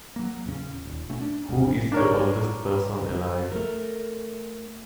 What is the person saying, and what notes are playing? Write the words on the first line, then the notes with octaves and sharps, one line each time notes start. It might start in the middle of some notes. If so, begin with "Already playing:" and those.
Who is the oldest person alive?
F#3 A#3
E2 A#2 C#3 C#4
D#1
B2 A3 C#4
D4
G1 D#2 C#3 G#3
D4 A#4 C#5
A3 A#4